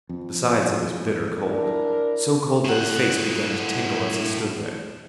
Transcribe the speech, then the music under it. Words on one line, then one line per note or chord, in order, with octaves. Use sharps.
Besides, it was bitter cold--so cold that his face began to tingle as he stood there.
F2
D4 E4 A#4
A2 F#5